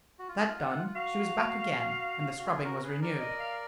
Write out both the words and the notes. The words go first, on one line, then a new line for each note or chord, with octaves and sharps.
That done, she was back again, and the scrubbing was renewed.
F#4
F4
D#4
F4
F#5
F4
F#4 F5
F#4
F4 G#4
F#4 A#4
G#4 B4
A#4 D5
D#5
F5